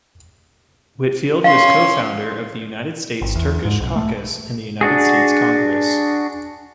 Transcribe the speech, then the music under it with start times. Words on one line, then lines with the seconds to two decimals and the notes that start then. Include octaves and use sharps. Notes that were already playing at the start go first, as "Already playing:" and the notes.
Whitfield was Co-Founder of the United States Turkish Caucus in the United States Congress.
1.44 C#4 F5 C6
3.21 G#1
3.35 E2
3.65 G#2
3.80 B1
3.96 A3
4.81 D4 F#4 G#4